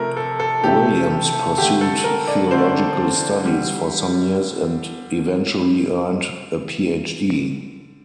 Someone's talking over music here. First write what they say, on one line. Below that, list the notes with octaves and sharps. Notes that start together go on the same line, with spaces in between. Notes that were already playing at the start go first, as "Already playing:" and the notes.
Williams pursued theological studies for some years and eventually earned a PhD.
Already playing: C3 F3 A3 A#4
A4
A4
C3 F3 A3 G4
D3 A3 G4
A4
A#4
D5
D3 A3 C5
D3 G3